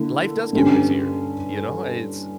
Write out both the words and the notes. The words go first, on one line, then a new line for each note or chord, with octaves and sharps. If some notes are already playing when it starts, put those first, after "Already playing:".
life does get busier, you know, it's
Already playing: D3 A#3 E4
G2 D3 G3 C#4